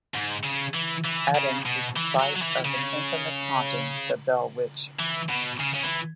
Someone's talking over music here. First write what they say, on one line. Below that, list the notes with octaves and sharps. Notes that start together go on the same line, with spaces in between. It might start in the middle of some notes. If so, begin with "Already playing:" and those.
Adams is the site of an infamous haunting, the Bell Witch.
G#2
C#3
E3
E3
C#3
B2
E3
F#3
F#3
E3
C#3
E3
B2
C#3
C#3
E3